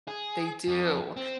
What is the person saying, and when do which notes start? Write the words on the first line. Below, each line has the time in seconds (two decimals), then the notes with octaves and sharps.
They do.
0.08 G#4
0.68 F2
1.17 C4